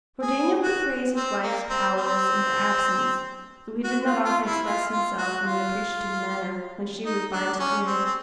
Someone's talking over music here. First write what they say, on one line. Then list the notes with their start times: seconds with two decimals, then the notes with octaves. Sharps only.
For Daniel could praise his wife's powers in her absence, though he did not often express himself in an appreciative manner when she was by to hear.
0.22 G#4
0.63 F#4
1.16 C4
1.43 A#3
1.69 C4
1.97 C4
3.84 F#4
4.05 F4
4.25 F4
4.45 E4
4.65 F4
4.92 F4
5.18 F#4
5.45 F4
7.05 D#4
7.33 D4
7.53 D4
7.59 C#4
7.87 C4
8.05 C4